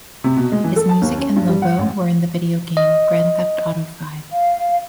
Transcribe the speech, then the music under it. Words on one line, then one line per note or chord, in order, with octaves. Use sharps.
His music and logo were in the video game "Grand Theft Auto V".
C3
B2
G#3
E3
A4
A5
D#2
C#4
G2
G3
F#5
A1
D#5
F5